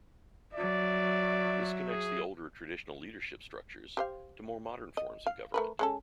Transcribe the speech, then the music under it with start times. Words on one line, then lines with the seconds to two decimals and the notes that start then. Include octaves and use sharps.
This connects the older traditional leadership structures to more modern forms of government.
0.54 F#3 D5 E5
1.89 G#4
3.97 G4 C5 F5
4.97 D#5
5.26 F5
5.54 A3 A#4 B4
5.79 G#3 C#4 A4